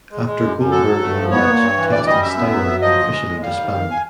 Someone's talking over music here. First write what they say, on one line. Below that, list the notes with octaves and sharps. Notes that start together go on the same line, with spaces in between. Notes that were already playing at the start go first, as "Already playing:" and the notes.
After Goldberg won the match Test and Steiner would officially disband.
G#3
G#3
F#2
F#2
F#3 A4
F#3
A3
F3
B3 C#5
A#2
G2
E3
D2 D5
G3 D#5
F#2 E5
B3
F#3
F#3
F3 D#5
D2
G#3
A2
G3 F5
D#3
D#3
G#5